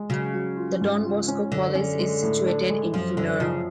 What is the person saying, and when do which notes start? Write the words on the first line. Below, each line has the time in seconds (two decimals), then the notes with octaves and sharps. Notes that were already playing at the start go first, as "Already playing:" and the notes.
The Don Bosco College is situated in Fuiloro.
Already playing: G#3
0.10 C#3 F#3
0.34 F#3
0.57 F4
0.81 G#2
1.05 F4
1.28 C#4
1.52 F#2 D3
1.75 C#4
1.99 G#3
2.23 A2
2.46 D4
2.70 G#3
2.93 F#2 F3
3.17 F#2 D3
3.40 C#3 F3